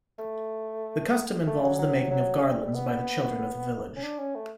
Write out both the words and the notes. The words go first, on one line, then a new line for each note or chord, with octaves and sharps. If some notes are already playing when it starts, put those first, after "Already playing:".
The custom involves the making of garlands by the children of the village.
A3
A3
F#3
F#3
F#3
F#3
G3
B3
C#4
D4
C#4
A3